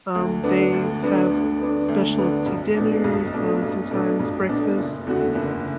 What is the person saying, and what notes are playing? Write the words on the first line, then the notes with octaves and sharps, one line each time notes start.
Um, they have specialty dinners, um, sometimes breakfast
D2
D3 B3 D4
D2
D3 B3 D4
D2
D3 B3 D4
D2
D3 B3 D4
B1
B2 A3 D4
B1
B2 A3 D4
B1
B2 A3 D4
B1
B2 A3 D4
F#1
E2 D3 A3 F#4
F#1